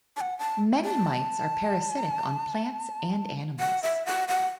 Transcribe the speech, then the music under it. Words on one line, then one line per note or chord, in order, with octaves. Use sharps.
Many mites are parasitic on plants and animals.
A5
F#5
A5
A5
F#5
E5
F#5
F#5